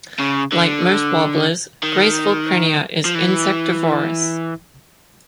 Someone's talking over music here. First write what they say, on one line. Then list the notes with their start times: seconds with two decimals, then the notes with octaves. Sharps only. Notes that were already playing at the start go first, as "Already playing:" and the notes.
Like most warblers, graceful prinia is insectivorous.
0.19 C#3
0.52 D3
1.83 D#3
3.05 F3
3.15 E3